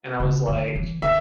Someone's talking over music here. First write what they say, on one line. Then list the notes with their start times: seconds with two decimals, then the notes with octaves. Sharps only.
And I was like,
0.20 C#3
0.48 D3
0.75 E3
1.02 D3 E5